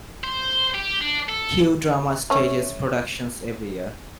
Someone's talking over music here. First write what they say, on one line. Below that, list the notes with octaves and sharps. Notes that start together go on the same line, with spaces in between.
Cue Drama stages productions every year.
C5
G4
D4
A4
A3 C#4